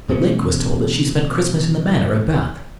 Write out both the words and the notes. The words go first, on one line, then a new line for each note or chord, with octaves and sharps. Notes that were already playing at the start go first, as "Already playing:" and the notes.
"But Link was told that she spent Christmas in the Manor at Bath."
B2 E3 C#4